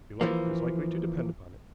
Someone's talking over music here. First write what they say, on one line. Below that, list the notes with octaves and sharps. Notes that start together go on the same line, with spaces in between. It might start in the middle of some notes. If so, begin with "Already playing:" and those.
Your life is likely to depend upon it.
E3 F3 A#3